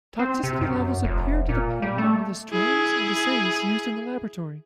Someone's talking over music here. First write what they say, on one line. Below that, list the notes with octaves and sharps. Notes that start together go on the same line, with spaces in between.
Toxicity levels appear to depend on the strains and assays used in the laboratory.
C4
C3
F#2
F1
A#2
G3
A3
E4 G#4